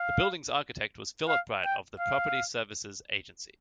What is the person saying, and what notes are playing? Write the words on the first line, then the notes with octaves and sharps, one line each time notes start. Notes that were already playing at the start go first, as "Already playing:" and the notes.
The building's architect was Philip Bright of the Property Services Agency.
Already playing: F5
F5
G5
F5